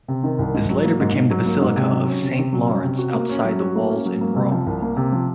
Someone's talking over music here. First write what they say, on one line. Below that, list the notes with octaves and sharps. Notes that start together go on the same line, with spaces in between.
This later became the basilica of Saint Lawrence outside the Walls in Rome.
C3
D#3
C2
G#2
F#3
A#3
G#2
G#2
F#3
A#3
G#2
C3
F#3
C#4
C3
C3
F#3
C#4
C3
F#4
A#3
C#4
F#3
F#4
A#3
C#4
F#3
A#3
C3
F3
C2
A#3
C3
F3